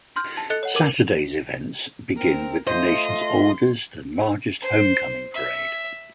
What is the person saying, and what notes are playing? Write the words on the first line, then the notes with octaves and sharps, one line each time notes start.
Saturday's events begin with the Nation's oldest and largest Homecoming Parade.
C6 F6 G6
A5
A4 D#5 F#6 A6 C#7 G7
C#5 F#5
A#4 D6 D#7
C4 A#4
A3 F4 C5 D#5 C6
C5
E5